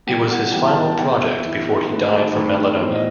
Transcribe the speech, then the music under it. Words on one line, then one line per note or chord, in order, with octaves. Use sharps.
It was his final project before he died from melanoma.
E3 G3 B3 G5
F#5
E3 G3 B3 G5
A5
G5
A5
E3 B3 G5
E5
E3 B3
D#3 A3 C4 B4
B4
A4
C5
D#3 A3 C4 B4
A2 E3 G3 B3 C5
D#5